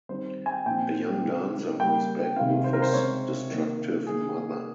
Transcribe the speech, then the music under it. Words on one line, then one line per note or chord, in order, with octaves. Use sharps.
A young dancer moves back with his destructive mother.
D#3 G3 C4 C5
G#5
G5
A#2 F3 C4 G5
C#3 G#3 C4
C#3 G3 A#3 G5
C3 D#3 G#3 C4 F5
C5
A#4
C5
C#3 G#3 C4 C#5
D#3 A#3
D#3 A#3 G#4